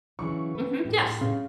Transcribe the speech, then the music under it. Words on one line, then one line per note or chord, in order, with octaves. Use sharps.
Mhm, yes.
C#3 E3 F#3 C#6
B4
A2 G4
C6
C#3